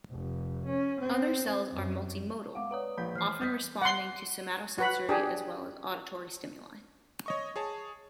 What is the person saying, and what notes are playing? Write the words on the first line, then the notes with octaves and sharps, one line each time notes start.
Other cells are multi modal, often responding to somatosensory as well as auditory stimuli.
F1
C#4
C4
F#2
G#3 F5 F#5 D6
B4 C#5 D5 F#5 A#5 D#6
A#1 B5 G6 B6
E3 F6 C7
G3 D#6 G6 B6
F#5 C6
F#4 B4 B5
D4 G4 G#4
C#5 D#5 C#6
G#4 C#5 A5